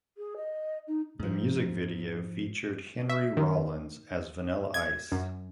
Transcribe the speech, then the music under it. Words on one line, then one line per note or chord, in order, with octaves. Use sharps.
The music video featured Henry Rollins as Vanilla Ice.
G#4
D#5
D#4
G#2 F3
E5
D#3
G#6
F#2